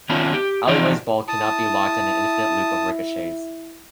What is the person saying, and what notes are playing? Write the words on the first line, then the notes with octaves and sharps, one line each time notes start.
"Alleyway"s ball cannot be locked in an infinite loop of ricochets.
D#3 B3 C#4 D4 E4 F4
G4
E3 F3 D#4 D5
E4 A5 D#6